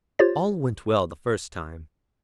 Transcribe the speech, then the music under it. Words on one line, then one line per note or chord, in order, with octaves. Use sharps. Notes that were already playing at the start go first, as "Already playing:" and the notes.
All went well the first time.
F4 G4 C5 C#5 A6